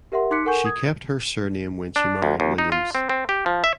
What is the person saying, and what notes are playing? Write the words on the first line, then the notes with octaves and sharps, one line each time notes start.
She kept her surname when she married Williams.
G4 A#4 E5 F#5 C6
D#4 C6 D6 F#6 B6 C#7
A4 A#4 F#5 G#5 C#6 G6
D#6 G#6
D4
D2
D#2
D#4
F4
C4
C4
G4
F3
E5